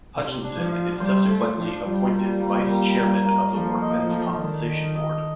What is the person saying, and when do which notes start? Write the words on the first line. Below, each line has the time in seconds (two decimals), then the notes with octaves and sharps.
Hutchinson is subsequently appointed vice-chairman of the Workmen's Compensation Board.
0.15 C3 C5
0.44 D4
0.58 F3
0.72 F5
1.00 G3 C5
1.28 A3 C5
1.56 F3 D4
1.84 G3 F4
2.12 A#3
2.41 A#3
2.69 A#3
2.98 A#3
3.25 A#3
3.53 F3 A4
3.82 D#5
4.09 A4
4.38 D#3 D4
4.67 D#5
4.95 D#5